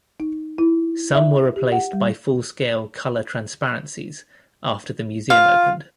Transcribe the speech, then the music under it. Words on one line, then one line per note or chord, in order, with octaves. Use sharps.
Some were replaced by full-scale color transparencies after the museum opened.
D#4
E4
E5
G4
F#5
G3
F4 F5